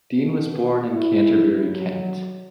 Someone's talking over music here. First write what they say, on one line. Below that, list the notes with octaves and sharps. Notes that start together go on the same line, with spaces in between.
Dean was born in Canterbury, Kent.
B2
E4
F#3